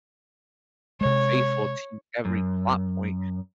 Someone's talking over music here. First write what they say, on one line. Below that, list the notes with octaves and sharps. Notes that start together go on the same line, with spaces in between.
faithful to every plot point,
C3 G#3 C#5
F#2